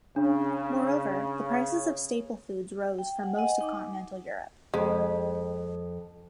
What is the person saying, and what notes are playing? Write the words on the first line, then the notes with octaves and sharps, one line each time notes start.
Moreover, the prices of staple foods rose for most of continental Europe.
C#3 D4
G5
F#5 G#5
D#5 F#5 G#5
D#4 D6
F2 G#3